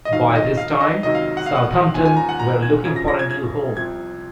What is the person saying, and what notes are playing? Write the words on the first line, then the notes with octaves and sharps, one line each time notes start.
By this time, Southampton were looking for a new home.
D#5
F2 D#3 F#3 F5
D#5
F5
D#5
C#2 C3 D#3 F#3 D#5
F5
F#5
F5
F#5
D#2 C#3 F3 G#5
G#5
A#5
F#5
A#5
G#6
F#2 C#3 F3 G#6
A#6
A#6
G#6
G#6
C2 C3 F3 G#6